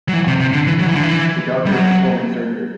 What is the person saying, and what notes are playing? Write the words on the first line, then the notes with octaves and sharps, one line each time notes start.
A doctor is performing surgery.
F#3
E3
C3
C3
D3
E3
F#3
E3
D3
E3
G3
F#3